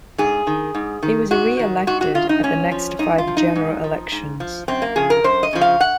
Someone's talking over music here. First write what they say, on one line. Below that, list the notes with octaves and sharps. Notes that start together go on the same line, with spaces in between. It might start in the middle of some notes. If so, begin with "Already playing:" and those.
He was re-elected at the next five general elections.
G#2 G#4
D#3
G#2
D#3
G#2 F#4
D#3
G#2 F#4
F#4
D#3 F4
D#4
G#2 C#4
F3
G#2 D#4
F4
F3
D#4
G#2
F3
G#2
F3
F#2 C4
A#3
C#3 F3 G#4
A#4
F#2 C5
D#5
C#3 F3
F5
F#5